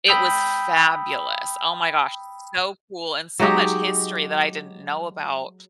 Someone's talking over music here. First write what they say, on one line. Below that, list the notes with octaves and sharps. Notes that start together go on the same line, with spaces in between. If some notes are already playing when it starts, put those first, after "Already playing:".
It was fabulous, oh my gosh, so cool, and so much history that I didn't know about
G5 B5 D#6 E6 G6
F#3 G#3 D#4 G4